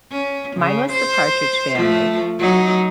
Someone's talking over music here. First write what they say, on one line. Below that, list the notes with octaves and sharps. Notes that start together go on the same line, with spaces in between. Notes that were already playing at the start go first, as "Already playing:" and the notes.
Mine was The Partridge Family.
C#4
C#3
C5
F3 A3
F#3 D#4